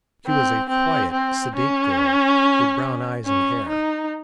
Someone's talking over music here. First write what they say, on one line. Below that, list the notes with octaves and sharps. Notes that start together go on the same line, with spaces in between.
She was a quiet, sedate girl, with brown eyes and hair.
C4
C4
C4
C#4
C#4
D#4